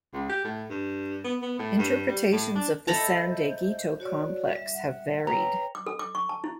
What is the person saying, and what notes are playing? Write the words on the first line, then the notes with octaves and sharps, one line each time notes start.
Interpretations of the San Dieguito Complex have varied.
C#2
G4
A2
G2
B3
B3
A2
G2
G3
A2
D4
A4 C5 D#5 E5 A#5 B5
F#4 C#5 D5
G3 E5
F#5
B4 C#5 G5 A#5
D6
A4
D6
C#6
A5
E4